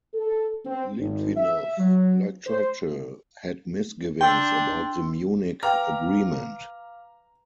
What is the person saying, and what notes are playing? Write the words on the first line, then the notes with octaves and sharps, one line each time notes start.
Litvinov, like Churchill, had misgivings about the Munich Agreement.
A4
C4
G#1
E5
F#3
C5
D4 G5 C6 E6
B4 F5 G5 A#5 D6 F6